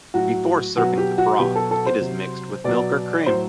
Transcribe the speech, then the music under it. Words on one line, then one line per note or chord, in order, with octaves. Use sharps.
Before serving the broth, it is mixed with milk or cream.
A2 F#3 F#4
B2 F#3 F#4
G4
F#4
B2 F#3 G4
A4
A4
C5
C3 F#3
B2 F#3 D5
A2 F#3 C5